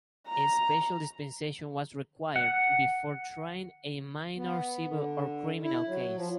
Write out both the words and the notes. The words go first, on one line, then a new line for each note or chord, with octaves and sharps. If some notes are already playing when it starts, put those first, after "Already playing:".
A special dispensation was required before trying a minor civil or criminal case.
A#5
F#5
B3
D3
E4
F#3
F3